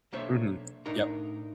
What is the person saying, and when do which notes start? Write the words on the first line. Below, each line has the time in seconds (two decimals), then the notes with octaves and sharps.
Mhm, yep.
0.13 B1 A#3 D4 C5 C#5 E5
0.86 A2 D4 D#4 A#4 A#5